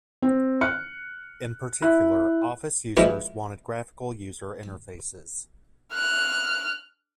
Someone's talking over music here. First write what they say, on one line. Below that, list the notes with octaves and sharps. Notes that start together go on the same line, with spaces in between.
In particular, office users wanted graphical user interfaces.
C4
F6 F#6 C#7
E4 F#6
F3 G#3 A#3 E4 B4
F6 F#6